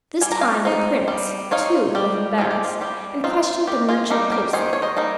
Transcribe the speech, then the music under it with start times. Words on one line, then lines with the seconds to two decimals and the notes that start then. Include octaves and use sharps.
This time the prince, too, was embarrassed, and questioned the merchant closely.
0.21 G3 G#5
0.32 A#5
0.41 F5 G#5
0.65 C4 D#4
1.08 G3
1.51 C4 D#4 C#5 F5
1.95 G3 G4
2.38 C4 D#4 F4
2.51 G4
2.65 F4
2.81 G3 G4
3.24 C4 D#4 F4
3.67 D#3 G4
3.89 F4 G#4
4.10 G3 A#3 D#4 G4 A#4
4.32 G4 A#4
4.53 D#3 G#4 C5
4.73 C#5
4.82 C5 D#5
4.97 G3 A#3 D#4